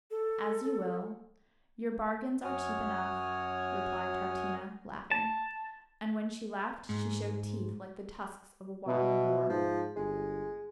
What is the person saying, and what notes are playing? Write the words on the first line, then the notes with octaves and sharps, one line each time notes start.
"As you will; your bargains are cheap enough," replied Troutina, laughing: and when she laughed she showed teeth like the tusks of a wild boar.
A4
F#2 F#4 C#5 G#5 D#6 F6
A5
G#2
B2 E4
G#2 F3
G1 G#3